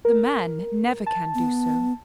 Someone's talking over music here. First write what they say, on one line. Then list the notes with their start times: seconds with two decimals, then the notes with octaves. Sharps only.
The man never can do so.
0.05 A#4
1.06 A5
1.35 B3